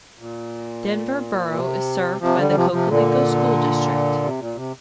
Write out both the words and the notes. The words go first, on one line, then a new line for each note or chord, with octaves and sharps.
Denver Borough is served by the Cocalico School District.
A#2
C3
C3 F3
D3 G3
C3 F3
C3 F3
A#2 D3
C3
A#2
C3